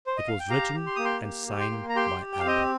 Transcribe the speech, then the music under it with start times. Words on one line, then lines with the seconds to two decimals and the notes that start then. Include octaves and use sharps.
It was written and signed by Albert.
0.07 C5
0.17 D#5
0.28 F5
0.40 G5
0.50 G4 F5 A#5
0.75 G4
0.87 C6
0.96 A#3 D#6
1.04 G5 C6
1.23 G4
1.47 G4
1.59 G5 C6
1.71 A#3
1.89 A#5
1.96 G4 G5 C6
2.20 G4
2.33 G5
2.40 F5
2.45 C4 D#5 G5